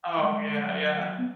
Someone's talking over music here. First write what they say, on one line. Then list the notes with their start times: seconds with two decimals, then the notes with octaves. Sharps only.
Oh, yeah yeah.
0.18 F#3
0.23 G#3
0.57 F#3
1.18 B3